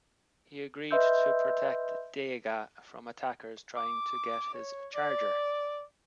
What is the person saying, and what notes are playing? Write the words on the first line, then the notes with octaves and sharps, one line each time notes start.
He agreed to protect Dega from attackers trying to get his charger.
B4 D#5 E5 C6 E6 G6
D6
C#5
D5